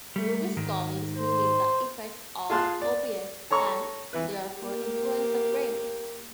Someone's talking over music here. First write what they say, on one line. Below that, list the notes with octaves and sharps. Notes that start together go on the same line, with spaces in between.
Rubiscolins mimic the effects of opiates and, therefore, influence the brain.
G3 A3
G#2 D#3
C5
F4 G#4 A5 C6 F#6
D5
A4 C#5 A#5 C#6
E3 E4 B4
A#3 G4